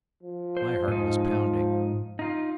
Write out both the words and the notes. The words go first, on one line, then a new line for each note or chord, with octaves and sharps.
My heart was pounding.
F3
C5
G#2 D#4
D#4 F4